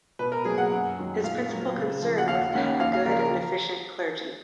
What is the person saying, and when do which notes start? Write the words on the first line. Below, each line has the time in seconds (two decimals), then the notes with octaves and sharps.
His principal concern was to have a good and efficient clergy.
0.19 B2 B4
0.32 A#4
0.45 F#3 G#4
0.49 A#3
0.58 F#5
0.72 F#2
0.98 D#3 F#3
1.23 A#2 F5
1.49 F#3 A#3
1.76 C#3
2.02 F3 A#3
2.18 F#5
2.27 D#2 F5
2.54 D#3 A#3 C#4 F#5
2.79 D#2 F5
2.93 F5
3.06 C#3 F3 A#4
3.19 A#4